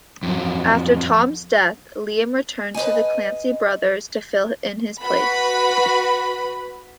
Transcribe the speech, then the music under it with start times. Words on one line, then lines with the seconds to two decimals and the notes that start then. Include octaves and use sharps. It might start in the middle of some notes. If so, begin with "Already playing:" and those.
After Tom's death, Liam returned to the Clancy Brothers to fill in his place.
0.23 F2 F#3
2.74 B4 C5 D#5 G#5
5.00 F#4 B4 B5